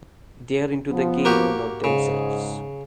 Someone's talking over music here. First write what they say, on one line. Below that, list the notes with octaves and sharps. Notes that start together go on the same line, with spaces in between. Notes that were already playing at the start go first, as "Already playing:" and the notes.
They're into the game, not themselves.
F3 B3
A#3 F#4 G4
G#2 C#3 G#4